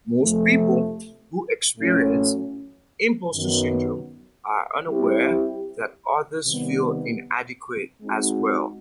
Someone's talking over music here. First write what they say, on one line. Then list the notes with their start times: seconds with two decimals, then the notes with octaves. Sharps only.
Most people who experience impostor syndrome are unaware that others feel inadequate as well.
0.21 F2 C3 F3 A3
1.78 A2 F#3 A3 C#4
3.33 F#2 D#3 F#3 B3
4.89 G3 C4 E4 G4
6.45 C3 D#3 G3 B3
8.02 G#3 C4 D#4 F#4